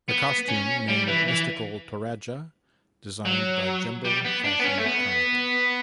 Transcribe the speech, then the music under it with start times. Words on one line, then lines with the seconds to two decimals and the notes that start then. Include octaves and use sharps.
The costume named ""Mystical Toraja"" designed by Jember Fashion Carnival.
0.08 B3
0.48 C#4
0.88 G3
1.07 E3
1.28 E3
3.25 F#3
4.05 G3
4.25 B3
4.44 D4
4.60 B3
4.64 C#4
4.78 A3
4.85 B3